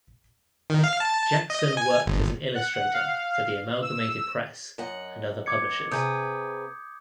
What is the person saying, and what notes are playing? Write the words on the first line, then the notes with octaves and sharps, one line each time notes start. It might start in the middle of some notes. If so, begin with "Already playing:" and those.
Jackson worked as an illustrator for the Amelgamated Press and other publishers.
D#3
F5
A5
D#5
G#5
G1
F#5
F5
E6
F#2 D#5 F#5
D6 G#6 C#7
C3 G#4 B4 D#6 G6